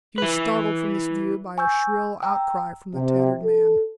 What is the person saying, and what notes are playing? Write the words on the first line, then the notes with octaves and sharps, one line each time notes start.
He was startled from this view by a shrill outcry from the tattered man.
E4 B4
G#5 C#6 E6 G6
G5 A#5 E6
C3
A4